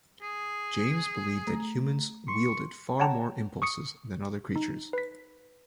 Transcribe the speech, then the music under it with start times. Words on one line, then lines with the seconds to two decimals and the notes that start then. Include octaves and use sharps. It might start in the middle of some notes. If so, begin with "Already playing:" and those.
James believed that humans wielded far more impulses than other creatures.
0.22 G#4
1.47 A3 A#5
2.28 C6 C#6
3.00 C#5 F#5 G5 A5 A#5
3.62 C#6 D#6 C#7
4.56 D#4
4.93 B4 B6